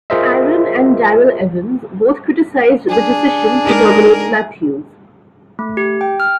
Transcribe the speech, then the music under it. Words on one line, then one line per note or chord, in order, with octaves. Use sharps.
Aaron and Darrell Evans both criticized the decision to terminate Mathews.
F4 G#4 A#4 C5 D#5 E5
D4 G#4
G#3 D#4 A#4
A3
G4
G5
F6